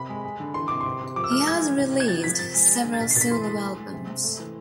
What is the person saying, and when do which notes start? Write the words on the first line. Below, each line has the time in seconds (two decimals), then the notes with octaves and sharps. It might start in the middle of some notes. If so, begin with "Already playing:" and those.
He has released several solo albums.
Already playing: C3 B5
0.09 G#3
0.24 G#3
0.40 D3
0.54 E3 C6
0.68 C3 D6
0.81 C3 C6
1.01 C3
1.16 F3 D6
1.24 E6
1.31 A3 F6
1.47 G#3 G#6
1.63 E3
1.77 C3
1.93 C3
2.00 G#6
2.08 F3 A6
2.24 F3 B6
2.39 C3 A6
2.54 G#3
2.70 G#3
2.85 D3
2.94 A6
3.00 B2 B6
3.11 C7
3.16 B2 A6
3.21 B6
3.31 E3 C6
3.47 A3
3.62 G#3
3.77 G#3
3.93 C3
4.08 C3
4.24 A3
4.39 E3